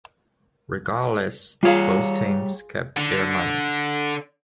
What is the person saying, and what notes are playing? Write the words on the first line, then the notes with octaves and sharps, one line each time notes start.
Regardless, both teams kept their money.
G3 F4 G#4 C#5 F5
D3